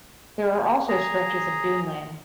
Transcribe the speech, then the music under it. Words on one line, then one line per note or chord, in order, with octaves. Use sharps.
There are also stretches of duneland.
G#4 A#5